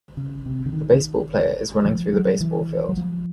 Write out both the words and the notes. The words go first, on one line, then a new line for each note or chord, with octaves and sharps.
A baseball player is running through the baseball field.
C#3
C3
D3
D#3
F3
F#3
E3
F#3
F3